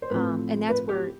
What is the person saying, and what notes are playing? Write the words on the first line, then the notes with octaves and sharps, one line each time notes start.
Um, and that's where
C5
A2 F3 C4 B4
B4
G4